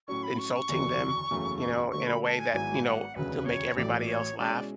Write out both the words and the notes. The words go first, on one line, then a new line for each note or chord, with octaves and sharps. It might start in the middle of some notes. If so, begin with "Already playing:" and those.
insulting them, you know, in a way that, you know to make everybody else laugh,
A2 F#3 C#4 C#6
B5
C#6
C#6
F#1 E2 D3 F#3
F#1 E2 C#3 F#3 A3
D3 F#3 A3 C#6
B5
A5
G#5
G#1 G#2 F#3 B3 E4 G#5
F#5
E1 D2 C#3 F#3 B4
C#5
A1 A2 F#3 A3 E4 D5
C#5
B2 G#3 C#4 E4 D5